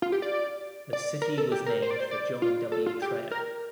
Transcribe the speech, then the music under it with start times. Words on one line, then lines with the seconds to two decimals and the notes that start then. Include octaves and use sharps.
The city was named for John W. Traer.
0.02 F4
0.12 G4
0.22 D5
0.93 D5
1.22 A#4
1.38 A4
1.52 G4
1.66 A#4
1.82 C5
1.91 D5
2.00 C5
2.11 D5
2.42 F4
2.72 A4
2.86 F4
3.02 G4
3.31 A#4